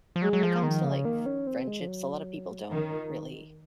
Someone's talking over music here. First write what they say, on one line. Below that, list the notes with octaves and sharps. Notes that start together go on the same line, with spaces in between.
when it comes to, like, f friendships, a lotta people don't really
F3
F#3 G#3
F#3
F3
D#3 F3
C#3
D#3 A#3
C#4
C4
G#3
F3
F#3
D#4
D#3 C#4
F4